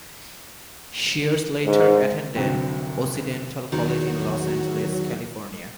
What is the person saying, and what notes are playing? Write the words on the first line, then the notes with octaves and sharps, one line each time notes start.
Shears later attended Occidental College in Los Angeles, California.
G#2
F1 C2 D3 F#3 C4 G5
E2 D#3 F#3 F#4